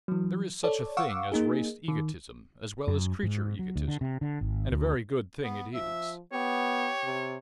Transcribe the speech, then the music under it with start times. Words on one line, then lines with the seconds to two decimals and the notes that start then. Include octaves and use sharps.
There is such a thing as race egotism as well as creature egotism, and a very good thing it is.
0.08 E3 F#3
0.64 A4 C#5 D5
0.97 F5 F#5 C#6 D6 E6
1.32 A#3 D#4 G#4
1.88 D#3
2.88 F#2
3.23 G#2
3.59 F#3
3.76 D2
3.88 D3
4.01 C3
4.21 D3
4.41 G#1
4.71 D2
5.44 B3
5.74 F3 E5
6.33 B3 G4 C#5
7.04 C3